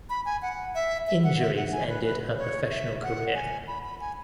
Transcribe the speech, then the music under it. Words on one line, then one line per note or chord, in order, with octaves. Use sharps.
Injuries ended her professional career.
B5
G#5
F#5
E5
E5
F#5
E5
F#5
G#5
B4
B4
C#5
E5
F#5
G#5
B5
B5
G#5